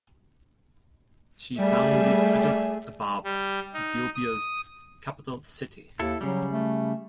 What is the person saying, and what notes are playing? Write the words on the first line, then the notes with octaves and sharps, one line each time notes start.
She founded Addis Ababa, Ethiopia's capital city.
G3 A3 G#4 D5 E5 G#5
G3
D#4
D#6
D#2 E4 A4
C#3 F#3 G3
A3